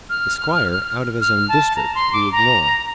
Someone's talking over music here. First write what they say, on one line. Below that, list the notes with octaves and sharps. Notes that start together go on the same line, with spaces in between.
The Squire, out of his own district, we ignore.
F6
F6
A5
A#5
C6
D6
A#5